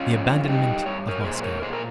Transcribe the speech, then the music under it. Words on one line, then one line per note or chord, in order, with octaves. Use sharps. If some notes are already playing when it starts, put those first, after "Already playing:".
"The abandonment of Moscow."
Already playing: C#4 F4
F2
F4
G2 D#4 G4
G2 C#5
A#4 C#5
A#2 G#4 C5
A#4 C#5
A#2 G#4 C5
A#4